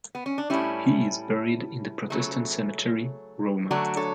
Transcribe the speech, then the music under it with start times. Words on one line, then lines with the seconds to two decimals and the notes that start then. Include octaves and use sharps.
He is buried in the Protestant Cemetery, Rome.
0.15 B3
0.26 C#4
0.38 D4
0.50 A2 G3 C#4 E4
2.10 C#3 F#3 A3
3.71 D3 F#3 A3 D4 F#4
3.97 A4 C#5